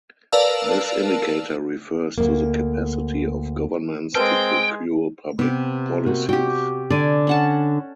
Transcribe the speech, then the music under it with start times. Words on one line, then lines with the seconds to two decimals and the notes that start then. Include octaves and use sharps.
This indicator refers to the capacity of governments to procure public policies.
0.32 A#4 B4 D5 F5 A5 E6
2.18 D2 G2 A#3
4.15 G#3 C4 A#4 B4 G5 A5
5.39 C3 B3 G4
6.06 A#3 F#4
6.29 F#4 G4 G5
6.90 D3 D5 G#5
7.27 C#4 F#5 A5